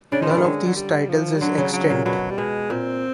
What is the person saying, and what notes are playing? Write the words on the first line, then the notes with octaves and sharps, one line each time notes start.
None of these titles is extant.
C#3 D4
F3 D#4
E3 D4
D#3 A3
D3 G#3
F#3
G3
F3
G3
D3 F#3
C#3
F#3
A#2
B2 F#3
G3
B2 G#3
A#2 C4